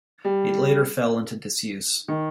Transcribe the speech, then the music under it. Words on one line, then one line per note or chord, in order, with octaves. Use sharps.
It later fell into disuse.
G3
D#3